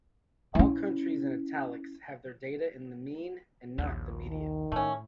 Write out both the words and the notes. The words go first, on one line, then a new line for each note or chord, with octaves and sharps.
All countries in italics have their data in the mean and not the median.
C#4 E4
A#1 D#2
D#3
A2 A3 C#4